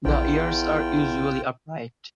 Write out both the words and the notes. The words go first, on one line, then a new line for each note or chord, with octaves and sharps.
The ears are usually upright.
A#1 E2 F4 G5